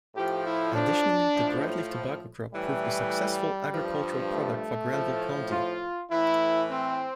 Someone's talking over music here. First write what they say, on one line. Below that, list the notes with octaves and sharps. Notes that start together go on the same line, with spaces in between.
Additionally, the bright leaf tobacco crop proved a successful agricultural product for Granville County.
A2 F3 G4
E4
D4
A2 F3
A2 E3 G3
G2 F3
A3
A2 F3
F4
A2 E3 E4
C4